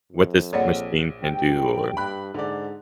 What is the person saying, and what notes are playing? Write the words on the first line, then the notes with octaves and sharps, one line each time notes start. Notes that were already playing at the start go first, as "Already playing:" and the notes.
what this machine can do," or
F2
A#1 C#5 D5 F#5
G2 G5
G2 B5 F#6
G#2 D3 D5